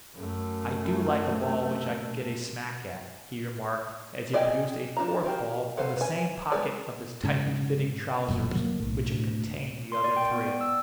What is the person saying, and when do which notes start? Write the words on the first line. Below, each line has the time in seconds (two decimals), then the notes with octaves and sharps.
"I do like a ball which I can get a smack at," he remarked as he produced a fourth ball from the same pocket of his tightly-fitting trousers which had contained the other three.
0.15 F#2 A3
4.34 G#4 D5 D#5 G5 G#5
4.97 F3 D4 D#4 F4 A#5
5.24 F#4 G4 A#4 F5
5.77 A4 B4 C5 F5 F#5
5.97 B4 G#5
6.52 G#3 B3 E4 G#4 D5
7.23 G#2 C#3
8.28 E1 F#2 A#2
8.54 D3 F#3 A#3
8.80 B1 A2
9.08 D2 A2
9.92 C6
10.04 D5
10.16 G5
10.31 B3
10.46 D5
10.61 E6